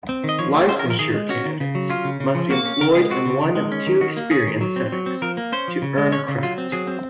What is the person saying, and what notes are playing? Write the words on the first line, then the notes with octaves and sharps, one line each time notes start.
Licensure candidates must be employed in one of two experience settings to earn credit.
C4
D#3
D#5
F3 C#5
A#3
C#4 C5
A#4
F3
A#4
D#3 G#4
G#3
C#4 F#4
D#3
C#3
F#3
C#4 F4
C#3
C#3
F3
A#3 F#4
C#4
C#3 A#4
G#3 G#4
C4 F#4
C#3
D#3
G#3
C#4
D#3
D#3 F#4
A#3
C#4 G#4
D#3
F#3
C4
F#3
C4
F3 A#4
A#3
C#4 C5
F3
C#3
G#3
C#4 C#5
C#3
F#3 F4
C4
F#3 G#4
C4